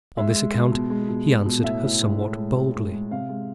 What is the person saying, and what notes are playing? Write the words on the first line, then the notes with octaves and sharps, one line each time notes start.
On this account he answered her somewhat boldly.
G#3 E5
G#3
G#3
B2
G#3
B2
G#3
B2
A2 E5
A2
G#3
A2
G#3
G#3
G#3
G#3
C3 F5
G#3